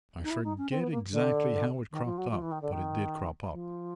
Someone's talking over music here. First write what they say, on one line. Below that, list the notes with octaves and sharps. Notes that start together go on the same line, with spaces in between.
I forget exactly how it cropped up, but it did crop up.
D#4
E4
D#4
C#4
C4
B3
A#3
D3
D#3
F3
F#3
F3
E3
D#3
D3
D#3
F3